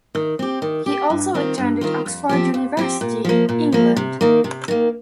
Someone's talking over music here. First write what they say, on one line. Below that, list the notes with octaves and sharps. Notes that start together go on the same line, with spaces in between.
He also attended Oxford University, England.
D#3
C4 G4
D#3
C4 G4
G2
D#3 C4 F4
G2
D#3 C4 F4
F2
F3 C4 G4
F2
F3 C4 G4
A#2
F3 A#3
A#2
F3 A#3
C3
D#3 A#3
C3
D#3 A#3